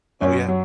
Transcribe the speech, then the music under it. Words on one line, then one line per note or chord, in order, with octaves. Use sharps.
Oh, yeah.
F#2 C#4
F#3